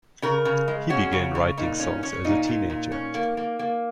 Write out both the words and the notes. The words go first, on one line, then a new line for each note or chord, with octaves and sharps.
He began writing songs as a teenager.
C#3 A#4
C#3
G#3
C#4 F#4
C#3
C#3
A#2 D#4
C#4
C#4
A#2 D#4
A#2
A#2
C#4
A#3
A#3
A#3